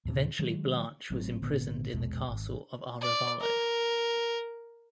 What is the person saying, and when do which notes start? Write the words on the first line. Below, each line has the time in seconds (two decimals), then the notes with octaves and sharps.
Eventually Blanche was imprisoned in the castle of Arevalo.
0.05 D#2 A#2 C#3
0.39 D#3 F#3 G#3
1.10 G#1 A2 F#3 C4
1.41 G#1 A#2 D3 B3
1.93 A#1 E2 B2 G#3
2.28 G#1
3.01 D5
3.41 A#4